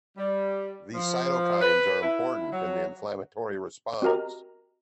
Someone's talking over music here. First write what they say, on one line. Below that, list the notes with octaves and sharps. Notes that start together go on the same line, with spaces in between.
These cytokines are important in the inflammatory response.
G3
F3
B4
E4
F#3
C4 F#4 G4 A#4 D#5 A#5